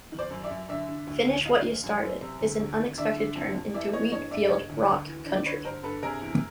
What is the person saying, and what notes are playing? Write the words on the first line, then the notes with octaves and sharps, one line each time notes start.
"Finish What Ya Started" is an unexpected turn into wheat-field-rock country.
D#3
C5 D5
F#2
D5 E5
F#2
D3 D5 E5
D3
D2
D2
D#3 D#5 F5
D#3
F#2
F#2
C3
D2
D2
D#3
D3 D5 E5
D3
F2
F2
E3 D5 E5
E3 C#5 D#5
G2 C#5 D#5
G2 D5 E5
C#3 C#5 D#5
D2
D2
E3
D3
D5
D3 B4 C#5
G2 A#4 C5
G2 A4 B4
C3 G#4 A#4
E2